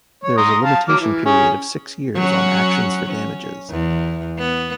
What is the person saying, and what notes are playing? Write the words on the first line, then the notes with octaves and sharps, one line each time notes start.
There is a limitation period of six years on actions for damages.
C#5
A#5 C6 D#6
F5 A5
F#3 D6 F6
E3
C#4 G#4
F#3 C#4 F#4
C#4
E2
B3